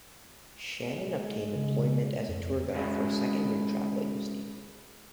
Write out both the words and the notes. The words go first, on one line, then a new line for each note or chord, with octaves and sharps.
Shannon obtains employment as a tour guide for a second-rate travel agency.
G#3
C#3
F2
G#3 C#4 E4 F#4 G#4 F5